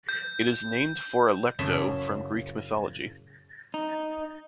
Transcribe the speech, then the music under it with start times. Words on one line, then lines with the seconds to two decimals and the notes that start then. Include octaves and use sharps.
It is named for Alecto from Greek Mythology.
0.09 G6
1.59 F#2 A2 C#3 G#4 A4 E5
3.74 D#4